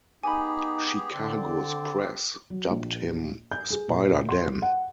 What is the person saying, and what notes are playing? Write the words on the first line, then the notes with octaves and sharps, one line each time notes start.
Chicago's press dubbed him "SpiderDan".
B3 D#4 G4 G#4 G#5 B5
D3 C4 D5
F#3
A#1
G6
G#4
A#2
C6
F#5